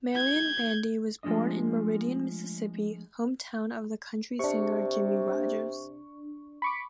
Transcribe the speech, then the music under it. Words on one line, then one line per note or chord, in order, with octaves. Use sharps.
Marion Bandy was born in Meridian, Mississippi, hometown of the country singer Jimmie Rodgers.
G6 G#6
F3 G#3 A3 D4 D#5
C3 D4 C#6
B5 C#6 D6